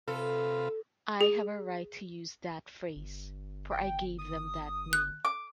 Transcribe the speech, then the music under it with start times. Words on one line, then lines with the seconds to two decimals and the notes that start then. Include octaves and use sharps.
I have a right to use that phrase, for I gave them that name.
0.08 C3 F4 A4 B4
1.21 G#4
2.96 G1
3.71 G5
4.18 D#6
4.93 F#6
5.25 D6